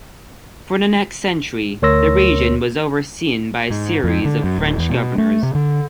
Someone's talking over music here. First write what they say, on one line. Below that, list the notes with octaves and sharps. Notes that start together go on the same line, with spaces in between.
For the next century, the region was overseen by a series of French governors.
D2 A#4 C#5 C6 E6 A#6
G#2
F2
D3
F#2
D1
E2
B2
A3
C3
D3